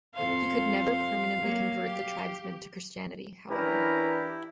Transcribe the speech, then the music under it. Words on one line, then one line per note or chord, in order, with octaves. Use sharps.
He could never permanently convert the tribesmen to Christianity, however.
F2 A4 C5 F5
F#3 A#3
G4
E3 C#4 D4 E4 G4 A#4 B4 A#5